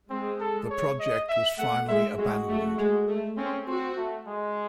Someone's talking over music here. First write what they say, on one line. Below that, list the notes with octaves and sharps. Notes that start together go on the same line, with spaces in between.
The project was finally abandoned.
G#3 C4
A4
C#5
D#5
E5
A3 F#5
G#3 E5
G#3 F#4
A3
G#3
A3
C4 C#4
C4 F#4
A3
G#3